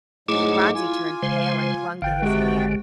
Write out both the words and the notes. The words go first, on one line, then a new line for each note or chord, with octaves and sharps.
Phronsie turned pale and clung to his hand.
G#2 F#3 G#3 A3 E4 G#4 D6
E4 F4 G#5
C#3 G#3 C5
G#1 D3 F5 G5
C3 G#3 F#4 G4 G5